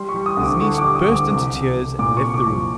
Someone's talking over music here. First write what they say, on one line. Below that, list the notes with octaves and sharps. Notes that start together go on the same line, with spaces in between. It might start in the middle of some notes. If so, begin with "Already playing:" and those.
His niece burst into tears and left the room.
Already playing: G3 C6
C#6
G3
D#6
D2
D6
D3 C#6
D6
G3
D#6
D2
D6
C2 D6
C2
C2
A#2 D6
C#6
C2
D6
F3